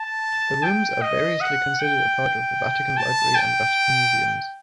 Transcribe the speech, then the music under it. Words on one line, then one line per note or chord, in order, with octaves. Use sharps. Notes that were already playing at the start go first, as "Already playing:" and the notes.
The rooms are variously considered a part of the Vatican Library and Vatican Museums.
Already playing: A5
G5
D#5
F#5
G5
A5
G5